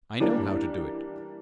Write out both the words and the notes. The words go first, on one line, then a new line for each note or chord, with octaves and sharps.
I know how to do it.
E3 G3 A#3 D4